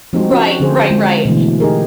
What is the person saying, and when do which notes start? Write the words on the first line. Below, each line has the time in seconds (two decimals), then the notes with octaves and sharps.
Right, right, right.
0.13 F3 C4 D#4 F#4
0.31 C#4 F#4
0.60 D3 F3 C4 G#4 C5
0.90 G#3 F4
1.25 B2 D3 E3 A3
1.60 D#4 G4 G#4 A#4